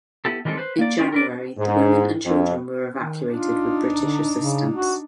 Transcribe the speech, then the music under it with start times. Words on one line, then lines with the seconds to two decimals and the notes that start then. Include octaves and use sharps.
In January, the women and children were evacuated with British assistance.
0.25 B3 E4 G4 A4
0.45 D#3 E3 G3 G#3 C4 A4
0.57 B4 C5
0.79 A#3 D5
0.98 C#4 F4 G#4 D5
1.12 A#4 B4 D5
1.58 G#2
2.24 F2
2.99 D#3
3.31 D4 D#4 F4
3.98 D3
4.37 C#3
4.74 F#4